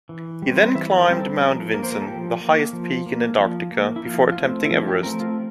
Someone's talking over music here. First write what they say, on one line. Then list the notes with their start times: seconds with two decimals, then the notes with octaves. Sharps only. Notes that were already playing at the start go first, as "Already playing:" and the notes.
He then climbed Mount Vinson, the highest peak in Antarctica, before attempting Everest.
0.09 E3
0.42 G3 C4
0.75 E3 E5
0.91 A4
0.97 A#4
1.08 G3 C4 G4
1.19 A4
1.41 F3 A#4
1.74 A#3 A#4
1.83 C5
1.92 A#4
2.02 A4
2.07 F3 G4
2.40 A#3
2.73 F3
3.06 A#3
3.39 F3
3.72 A#3
3.96 E4
4.05 F3 F4
4.32 F4
4.38 A3 C4 E4
4.65 E4
4.71 F3 F4
4.88 G4
5.03 A3 C4 A#4
5.20 F4